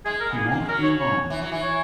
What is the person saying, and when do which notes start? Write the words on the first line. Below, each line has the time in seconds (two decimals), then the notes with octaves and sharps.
He won’t be alone.
0.05 G#3 G#4
0.21 A#4
0.30 B3
0.36 A#3 G#4
0.52 A#3
0.60 G#3
0.68 F#3 A#4
0.83 C#5
0.99 C#5
1.30 E3
1.41 F#3
1.52 E3
1.62 C#5